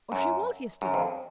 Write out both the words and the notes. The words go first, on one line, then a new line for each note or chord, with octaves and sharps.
Or she was, yesterday.
F#2
F#2
F2